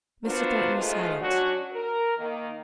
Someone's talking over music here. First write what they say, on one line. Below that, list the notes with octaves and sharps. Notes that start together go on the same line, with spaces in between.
Mr. Thornton was silent.
B3 D4 F4 F#4 A#4 C5
D#3 F3 G#3 A3 D#4 F4
F#3 C#4 D4 F#4
A#4
D#3 A#3